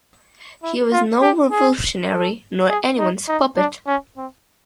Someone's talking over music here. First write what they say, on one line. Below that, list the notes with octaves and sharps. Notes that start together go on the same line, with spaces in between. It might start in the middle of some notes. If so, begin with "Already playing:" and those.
He was no revolutionary nor anyone's puppet.
E4
F4
G4
G#4
A4
G#4
D#4
D#4
D4
C#4
C4